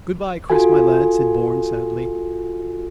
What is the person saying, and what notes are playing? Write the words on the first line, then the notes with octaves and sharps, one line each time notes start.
"Good-bye, Chris, my lad," said Bourne sadly.
F4 F#4 A4 G#5